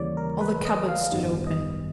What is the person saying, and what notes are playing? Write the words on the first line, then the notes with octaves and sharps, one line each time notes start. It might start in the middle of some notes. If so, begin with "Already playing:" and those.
All the cupboards stood open.
Already playing: D#2 C#3 E3 G3 A#3 C#5 D5
A#4
B4
D#5
F5
G#1 F#2 D#3 G3 B3
D#5